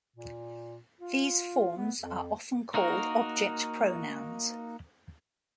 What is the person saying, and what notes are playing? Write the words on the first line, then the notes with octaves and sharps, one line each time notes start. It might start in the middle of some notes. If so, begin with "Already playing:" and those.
These forms are often called object pronouns.
A#2
F4
B3
F2
A#3 D#4 F#4 A#4